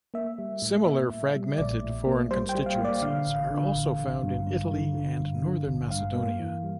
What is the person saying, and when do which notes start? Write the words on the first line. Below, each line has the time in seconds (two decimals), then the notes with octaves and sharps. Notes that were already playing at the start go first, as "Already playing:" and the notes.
Similar "fragmented" foreign constituencies are also found in Italy and Northern Macedonia.
0.14 A#3 E5
0.39 G3
0.62 A2
0.86 A#3 E5
1.10 A2
1.35 G3
1.58 A#1 D5
1.83 A2
2.07 A#3
2.31 G3 C5
2.49 G5
2.55 G3
2.66 F5
2.79 A#3
2.85 D5
3.02 D3 F5
3.27 A1
3.51 D3
3.75 A1
3.99 A1
4.23 G2
4.47 G2
4.71 D3
4.95 D3
5.20 G2
5.43 D3
5.67 A1
5.91 G2 F5
6.15 A#3
6.40 E3
6.64 G3